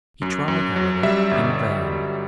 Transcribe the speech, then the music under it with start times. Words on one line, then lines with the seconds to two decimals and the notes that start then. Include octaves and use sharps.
He tried, however, in vain.
0.22 F#2
0.48 F#2
0.76 F#3
1.03 G3 E5
1.31 G1